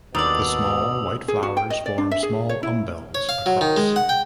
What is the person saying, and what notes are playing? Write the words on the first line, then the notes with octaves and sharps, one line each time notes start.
The small white flowers form small umbels, across.
D#2 B2 D4 D5 D#6 E6 F#7
G#4
F#4
G5
D#5
D5
D4
E5
G#4
C#5
E4
C#5
F5
F#3
D#3
G#3
F#5
G5